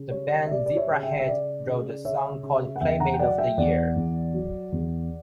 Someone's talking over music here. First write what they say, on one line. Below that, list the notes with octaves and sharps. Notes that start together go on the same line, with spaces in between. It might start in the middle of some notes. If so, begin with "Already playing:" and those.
The band Zebrahead wrote a song called Playmate of the Year.
Already playing: C#3
G3 C#5
E5
G3 D5
D5
C#5 E5
C#3
E5 G5
E5
C#3 D5
C#3
C#3 C#5 E5
C#3
F#5
E2 E5 G5
F#5 A#5
G5
F#3 D5 F#5
E5 G5
E2 D5 F#5
E2
F#3
E2